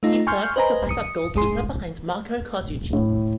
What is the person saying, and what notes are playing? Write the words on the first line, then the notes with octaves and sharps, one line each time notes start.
He served as the backup goalkeeper behind Marco Carducci.
A3 D#4 F4
G#5 C6 C#6 F6 G6
B4 C5 D#5 G#5 A#5
D#6 C#7
G1 G#3 G#4 C6
A2